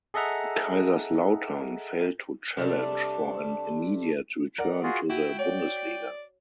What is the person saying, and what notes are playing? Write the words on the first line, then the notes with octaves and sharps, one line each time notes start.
Kaiserslautern failed to challenge for an immediate return to the Bundesliga.
G#4 A4 D#5 E5 F#5 A#5
C3 G3 A3 D4
A#4 D5 F#5
F4 F#4 G#4
E4 F#4 G5
C#5 D5